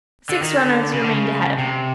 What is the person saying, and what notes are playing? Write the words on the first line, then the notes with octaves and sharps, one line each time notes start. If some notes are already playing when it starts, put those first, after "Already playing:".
Six runners remained ahead of him.
D3
D#3
D3
C#3
D3
C#3
C3